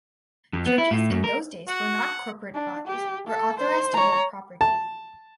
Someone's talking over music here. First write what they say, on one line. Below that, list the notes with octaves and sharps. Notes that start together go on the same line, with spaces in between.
Churches in those days were not corporate bodies or authorized to hold property.
F2
B3
E4
A2
F#2
A#4
F#4 F#5
D4
G4
A4
C5
C#5 A#5
A5